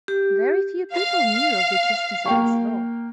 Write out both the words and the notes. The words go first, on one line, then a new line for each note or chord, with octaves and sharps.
Very few people knew of the existence of this law.
G4
F5
A#3 G5 C#6